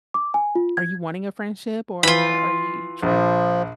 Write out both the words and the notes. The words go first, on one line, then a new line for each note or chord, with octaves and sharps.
are you wanting a friendship, or are you try
D6
G#5
F4
G#6
E3 F4 B5
A#1 F3